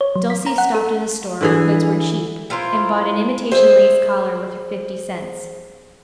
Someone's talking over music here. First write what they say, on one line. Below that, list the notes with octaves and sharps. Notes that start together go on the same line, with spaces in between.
Dulcie stopped in a store where goods were cheap and bought an imitation lace collar with her fifty cents.
C#5
F#3
B6
A#5
F#5
A4
D3 E3 G#4
E4 F4 A#4 C5
G#4 C5 E5